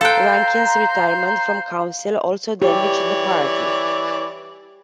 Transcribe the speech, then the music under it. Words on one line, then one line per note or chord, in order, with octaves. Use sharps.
Rankin's retirement from council also damaged the party.
A4 C5 F5 G5 A#5 F#6
E3 G4 C#5 D5